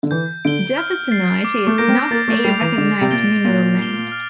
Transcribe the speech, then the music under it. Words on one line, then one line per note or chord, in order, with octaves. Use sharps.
Jeffersonite is not a recognized mineral name.
D3
E3 G6
D3 D7 G7
F6
A6 C7
D6
A3
A#3 G6 A#6 D7
C4
A#3 A6
A3
G3 C7 F7
E3
D3 D6
C3
A#2 A6 D7 G7
A#2 A6
C7 G7
F6